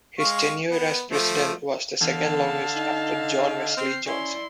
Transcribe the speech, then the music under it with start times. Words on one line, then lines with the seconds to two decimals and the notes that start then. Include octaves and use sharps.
His tenure as president was the second-longest after John Wesley Johnson.
0.20 G#3 F5 C#6
0.70 B3
1.11 F3 A3
2.01 D3 E3 B3 F5 A5
2.75 D#4 D#5
3.77 C4 F6 G6 C7
4.06 C#4 E4 D5 C6